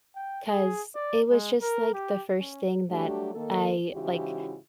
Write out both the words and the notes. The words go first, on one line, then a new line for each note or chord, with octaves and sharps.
'cause it was just, like, the first thing that I like,
G5
G#4
D5
G#3
A#4
G4
C#4
F#3 G3 A3 D4 F#4 G4
D#3 A#3 A4
G#2 C#3 E3 E4 F#4 G4